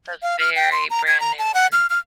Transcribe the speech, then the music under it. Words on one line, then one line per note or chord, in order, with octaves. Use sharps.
The very brand new one.
F5
F6
G5
C6
A#5
G#6
A#5
A5
F#5
F6
F6